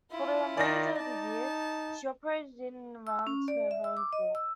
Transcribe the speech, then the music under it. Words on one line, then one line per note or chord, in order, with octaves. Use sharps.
For the remainder of the year, she operated in and around her home port.
E4 F4
D#3 D5 A#6
D#4 A5
E6
C#4
D5
E5
E6
D6
D#5
E6